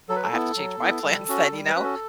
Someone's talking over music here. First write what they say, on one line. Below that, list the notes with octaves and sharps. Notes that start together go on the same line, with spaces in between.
I have to change my plans then, you know?
F#3 A4
B4
A4
B3 E4
F#3
B3 E4
G3
C#4 F#4
G3
B4
C#4 F#4
A4